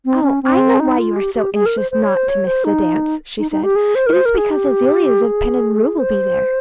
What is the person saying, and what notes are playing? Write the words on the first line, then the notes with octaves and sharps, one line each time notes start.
'Oh, I know why you are so anxious not to miss the dance,' she said; 'it is because Aziliez of Pennenru will be there.'
C4
C#4
C4
D#4
F4
G4
G4
G#4
A#4
C5
C5
C#5
C5
C#5
C5
D#4
D#4
D#4
G4
G#4
C5
A#4
C5
A#4
G#4
G4
G#4
C5